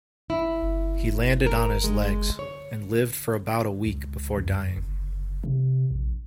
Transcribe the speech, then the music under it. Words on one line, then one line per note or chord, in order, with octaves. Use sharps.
He landed on his legs, and he lived for about a week before dying.
E4
A#4
G#3
C#5
C#2
F#2
F#1
C3
A#1